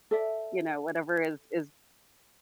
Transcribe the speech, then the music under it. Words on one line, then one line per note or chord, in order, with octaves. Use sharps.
you know, whatever is is
A4 D5 E5